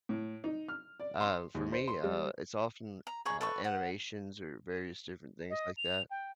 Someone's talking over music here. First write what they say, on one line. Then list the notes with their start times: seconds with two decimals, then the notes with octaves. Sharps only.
uh, for me, uh, it's often, uh, animations or various different things like that,
0.09 A2
0.44 D#4
0.68 F6
1.00 D5
1.21 C6
1.55 D#2
1.72 C5
1.88 C6
2.04 G3
3.07 A#5
3.25 G#4 A#5 B5 C#6
3.41 A4 B4 C#6
3.64 F#5
5.50 D#5
5.77 F7
6.11 G5